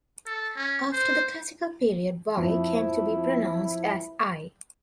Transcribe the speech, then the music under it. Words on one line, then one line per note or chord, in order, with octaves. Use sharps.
After the Classical period "y" came to be pronounced as "i".
A4
C#4
C5
F2 E4